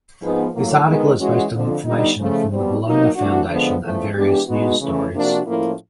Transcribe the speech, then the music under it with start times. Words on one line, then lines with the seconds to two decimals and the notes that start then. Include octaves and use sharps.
This article is based on information from the Bellona Foundation and various news stories.
0.21 G#2 F3 G#3 B3 D#4
0.53 A2 F#3 A#3
0.86 D#3 G#3 B3
1.19 E3 G#3 C#4 F#4
1.52 F2 D3 F3
1.84 D3 G3 B3 D#4
2.18 C#3 F3 A3
2.50 B2 G3 C4
2.83 B2 F#3 A#3 D#4
3.16 C3 E3 A3 D4 F#4
3.49 D3 F3 G#3 B3
3.82 E2 C#3 F3 A3
4.14 E3 G#3 B3 D4 G4
4.48 B2 G#3 B3 D#4 F#4
4.80 C#3 E3 A3 C#4 E4
5.13 C3 F3 A#3 D4 F#4
5.46 A2 F3 A#3 C#4 E4